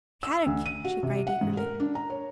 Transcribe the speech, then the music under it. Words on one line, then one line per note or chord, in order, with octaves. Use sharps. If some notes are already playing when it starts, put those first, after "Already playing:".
"Kadok!" she cried eagerly.
E6
D2
D#7
F#4
C3
F#5
G#2
A#4
D4
A#5
C#5